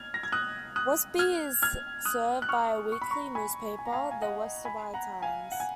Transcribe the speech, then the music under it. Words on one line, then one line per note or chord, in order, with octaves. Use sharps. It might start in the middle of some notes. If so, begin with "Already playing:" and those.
Westby is served by a weekly newspaper, the Westby Times.
Already playing: F6 G#6
A#6
G#6
D#6 F#6
D#6 F#6
F6 G#6
F6 G#6
D#6 F#6
F#6
C#6 F6
C#6
B5
A#5 C#6
G#5 B5
G#5
A#5
F5 G#5
G#5
D#5 F#5
G#5 B5
F#5 A#5
F5 G#5
F#5
G#5